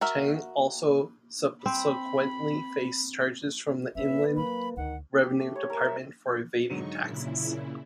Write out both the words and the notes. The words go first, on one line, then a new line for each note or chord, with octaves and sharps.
Tang also subsequently faced charges from the Inland Revenue Department for evading taxes.
F#4 A#4 E5
C4 B5
C#4 D4 B4 E5
D#3 F#3 A#3 B5
D2 D#3 F#5
G4
A3
C#5
A#4
E5
G#2 D3 F#3 D#4 C#6
A#2 C#3 E4